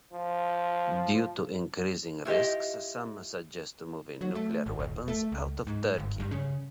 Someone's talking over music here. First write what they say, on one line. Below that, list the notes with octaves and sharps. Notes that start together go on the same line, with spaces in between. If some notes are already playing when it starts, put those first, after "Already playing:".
Due to increasing risks some suggest moving nuclear weapons out of Turkey.
F3
E4 F4 G4 D#5
F#3
A3
G#1
D#1
A3
C#2
G#2
G1
G2
C#3